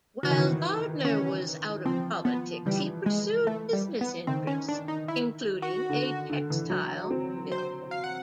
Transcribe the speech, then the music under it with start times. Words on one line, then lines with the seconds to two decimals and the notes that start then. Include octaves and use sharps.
While Gardner was out of politics, he pursued business interests, including a textile mill.
0.23 E3 F#4
0.30 D#3
0.37 E3
1.05 C#4
1.85 F3 C4
2.25 B3
2.66 E3 G3
3.06 G#3
3.47 A3
3.73 G3
4.01 B3
4.27 D#3 C4
4.47 C#4
4.68 D4
4.88 D#4
5.08 E4
5.62 F#4
5.89 D3
6.30 D3
6.50 E3
6.70 F#3
7.10 C4
7.52 C5
7.91 F5
8.04 F#5